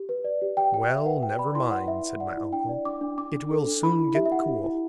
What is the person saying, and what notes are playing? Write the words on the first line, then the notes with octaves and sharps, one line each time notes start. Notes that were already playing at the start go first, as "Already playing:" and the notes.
"Well, never mind," said my uncle, "it will soon get cool."
Already playing: G4
B4
D5
G4
G4 G5
G4 G5
G4 E5
B4 F#5
B4 G5
D5 B5
E4 C6
B4 F#5
E4 E5
E4
D5 F#5
E4
D4 G5
D5
D4 D6
D4
D4 D6
D4
A4
D4
E4 B5
E4
G4 E5
E5
E4 F#5
G4
E4